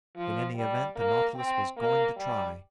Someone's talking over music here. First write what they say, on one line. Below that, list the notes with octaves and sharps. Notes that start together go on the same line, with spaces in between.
In any event the Nautilus was going to try.
F3
G3
A#3
C4
A#3
G3